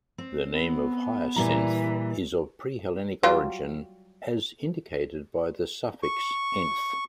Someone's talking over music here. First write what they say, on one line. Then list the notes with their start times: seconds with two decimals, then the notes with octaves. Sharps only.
The name of Hyacinth is of pre-Hellenic origin, as indicated by the suffix "-nth".
0.18 C4
0.51 B3
1.36 A#2 E3 G3 A#5
3.23 F#3 G3 F4
6.03 C#6